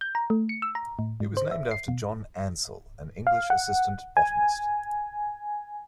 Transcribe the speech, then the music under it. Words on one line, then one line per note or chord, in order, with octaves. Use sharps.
It was named after John Ansell, an English assistant botanist.
G6
A#5
A3
C#7
E6
A#5
A2
G#2
C5
E5
C7
B2
F5
F#5
G#5